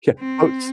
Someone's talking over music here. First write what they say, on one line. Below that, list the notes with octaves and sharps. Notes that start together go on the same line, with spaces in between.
Yeah, boats
C4